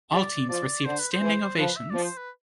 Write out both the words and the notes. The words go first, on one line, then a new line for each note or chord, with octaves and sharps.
All teams received standing ovations.
G3 D5
F3 D5
D3 C5
B4
C5
E3
F3 B4
E5
F3 D5
C5
B4